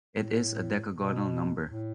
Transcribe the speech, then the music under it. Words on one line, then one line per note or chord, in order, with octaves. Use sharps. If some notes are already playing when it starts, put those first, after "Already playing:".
It is a decagonal number.
A2
B2
A2